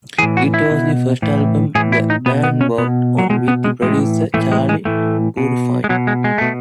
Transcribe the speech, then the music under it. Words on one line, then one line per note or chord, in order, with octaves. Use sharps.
It was the first album the band worked on with the producer Charlie Bauerfeind.
A2 E3 G#4
F#4
E4
B2
A2 E3
A2 E3 G#4
E4
D#4
B2 B3
B3
C#4
B2 B3
F#3
B2 G#3
B3
G#3
A2 E3 G#3
A2 E3 A3
G#3
G#3
A2 E3 A3
B2
G#3
B2 F#3
G#3
G#3
B2 A3